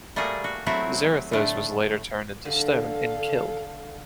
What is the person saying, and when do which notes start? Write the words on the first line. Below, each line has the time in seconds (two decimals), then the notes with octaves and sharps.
Zarathos was later turned into stone and killed.
0.16 G3 A3 A#3 F#4 G#4
0.44 F#4
0.66 F#3 A3 C4 E4 F#4 G4
1.32 A2 D3 A3 D4
2.45 D3 A4 F5